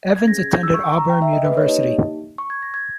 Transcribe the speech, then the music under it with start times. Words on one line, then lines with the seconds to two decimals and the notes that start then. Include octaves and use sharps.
Evans attended Auburn University.
0.16 G#6
0.27 C#4 A#6
0.32 G#4
0.39 G#6
0.52 G6
0.63 E6
0.74 C#6
0.86 C#6
0.98 A#5
1.09 G5
1.22 E5
1.33 D#5
1.45 B4
1.57 C#5
1.68 A#3 D#4 G4 D#5
2.38 C#6
2.50 G#6
2.62 A#6
2.74 G#6